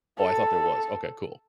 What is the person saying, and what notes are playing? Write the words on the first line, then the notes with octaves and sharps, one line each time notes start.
Oh, I thought there was. Okay. Cool,
A4